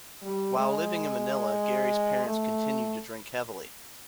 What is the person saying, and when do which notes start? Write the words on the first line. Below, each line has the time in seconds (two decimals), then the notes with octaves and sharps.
While living in Manila, Gary's parents continued to drink heavily.
0.22 G3
0.56 G#3
2.25 A3